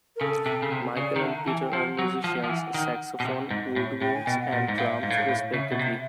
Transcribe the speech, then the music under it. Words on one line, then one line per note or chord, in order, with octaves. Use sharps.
Michael and Peter are musicians - saxophone-woodwinds and drums, respectively.
A#4
C#3 A4
C3
C#3
C3
C#3 D5
D#3
D3 E5
A#5
E3 A5
G#5
G5
F3 F#5
F#3
F3
F3
E3
D#3
B2
C3
G#2
A2
A2 G5
G#5
B2 G5
F#5
A#2
G#2
A2 F5
E5
F5
G#2
A2
G#2
A2
C#3 E5
B2
C3